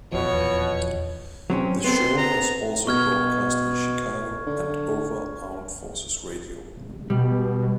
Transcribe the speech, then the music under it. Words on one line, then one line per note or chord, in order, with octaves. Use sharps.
The show was also broadcast in Chicago and over Armed Forces Radio.
D#1 E2 B2 F3 C#5
F#3 C4 C#4
B3 C4 A4 C6
A#5
B2 C#6 F6 G#6
D3
B2 G3